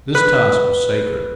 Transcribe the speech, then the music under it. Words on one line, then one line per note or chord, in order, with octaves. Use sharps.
This task was sacred.
B4